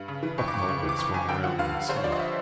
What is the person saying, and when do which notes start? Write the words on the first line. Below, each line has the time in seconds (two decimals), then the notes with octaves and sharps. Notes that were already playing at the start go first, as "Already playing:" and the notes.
Buck Mulligan swung round on his heel.
Already playing: G2
0.08 C#3
0.23 E3
0.38 F2 C#6
0.48 D6
0.54 F2 C#6
0.69 C#3 C#6
0.79 C#6
0.83 E3
0.89 D6
0.98 F2 C#6
1.14 F2 G#5
1.29 D3 G5
1.44 F3 F#5
1.59 G2 F5
1.73 G2
1.88 D3 C5
1.96 C#5
2.04 F3 D5
2.12 D#5
2.19 E5